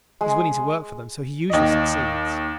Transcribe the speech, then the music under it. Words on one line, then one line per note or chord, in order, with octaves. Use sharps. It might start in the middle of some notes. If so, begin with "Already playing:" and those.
He is willing to work for them, so he usually succeeds.
G#3
D#2 D#5